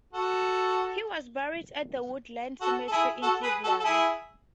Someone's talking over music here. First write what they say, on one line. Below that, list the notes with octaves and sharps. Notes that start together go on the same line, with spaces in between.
He was buried at the Woodland Cemetery in Cleveland.
F#4 A4
F#4 A4
A4
E4 G#4
F#4 A4
G#4 B4
F#4 A4
A4
E4 G#4